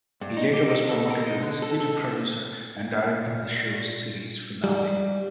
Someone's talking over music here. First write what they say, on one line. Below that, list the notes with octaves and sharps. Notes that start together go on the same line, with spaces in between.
He later was promoted to executive producer and directed the show's series finale.
G2
D#4
G4
D#4
A4
A#4
D#4
D3
A4
A4
A#2
G3